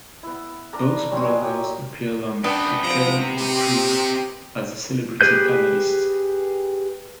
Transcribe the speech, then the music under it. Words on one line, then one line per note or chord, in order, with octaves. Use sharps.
Both brothers appeared on "To Tell the Truth" as celebrity panelists.
B3 E4
D4 A#4 D5 A#5
F#3 G3 G#5 C6
D#5 F5 G#5
F#3 G4
F#2 B3 C4 D4 G5
C3 F3 A#5
D#4 G4
G4 G#4 B4 G6